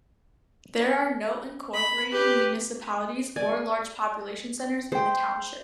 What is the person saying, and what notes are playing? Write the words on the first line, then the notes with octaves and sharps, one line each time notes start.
There are no incorporated municipalities or large population centers in the township.
B5
G4 B4
D5 G#5
G#4 C5 G5